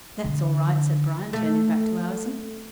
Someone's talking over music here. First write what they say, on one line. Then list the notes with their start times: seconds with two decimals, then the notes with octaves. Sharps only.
"That's all right," said Bryan, turning back to Allison.
0.24 D3
1.33 A3